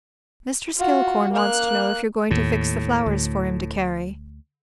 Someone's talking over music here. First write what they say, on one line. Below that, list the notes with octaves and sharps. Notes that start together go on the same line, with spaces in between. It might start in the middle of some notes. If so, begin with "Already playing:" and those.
"Mr. Skillcorn wants to know if you're going to fix the flowers for him to carry?"
F4 F#4
A#3 F#6
D#2 A2
D2